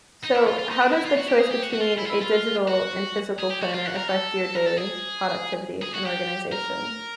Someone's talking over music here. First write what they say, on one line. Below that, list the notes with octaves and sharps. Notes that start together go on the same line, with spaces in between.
so, how does the choice between a digital and physical planner affect your daily productivity and organization?
D#4
E4
F4
F4
D#4
D4
E4
F4
F#4
G4
G#4
G4
F#4
F#4
F4
E4
F4
E4
F4
F#4
G#4
G4
F#4
F4
F#4
A#4
A4
A#4
A4
G#4
G#4
F#4
G4
A#4